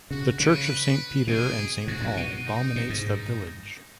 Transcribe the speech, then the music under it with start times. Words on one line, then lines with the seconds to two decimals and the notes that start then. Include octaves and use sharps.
The Church of Saint Peter and Saint Paul dominates the village.
0.10 C#3 F#4
0.40 C#3 B4
1.27 B2 G#4
1.87 G#2 F#4
2.02 F#2
2.17 B2
2.45 D#4
2.76 B2
2.90 G#2
3.04 D#4